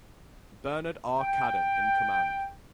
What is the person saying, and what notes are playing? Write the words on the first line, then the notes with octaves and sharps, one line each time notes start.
Bernard R. Cadden in command.
G5